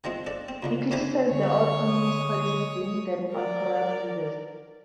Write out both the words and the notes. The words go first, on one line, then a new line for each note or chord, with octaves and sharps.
He criticised the old communist policies, blaming them on corrupt leaders.
D#3 F3 G#3 C4
D4 A4
C4
C#2 D3 F3
E2 D3 C4 C5 G#5 B5
D3 G#3 C#5
D#6
A#4 D5